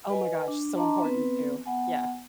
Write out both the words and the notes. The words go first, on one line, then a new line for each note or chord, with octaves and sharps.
Oh my gosh, so important too, yeah.
B4 D#5 G#5
D4
D4 D#5 A5 A#5 C6 D6
B3 C4 B4
B3 F#5 G#5